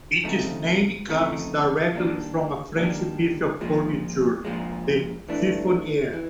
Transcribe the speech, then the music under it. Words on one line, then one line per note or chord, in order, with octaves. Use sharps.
Its name comes directly from a French piece of furniture, the chiffoniere.
C#3 F3 A3 C4 D#4
C#3 F3 A3 C4 D#4
D#3 G3 A#3 D4
D#3 G3 A#3 D4
A#2 F3 G#3
A#2 F3 G#3
E3 A3 D4
E3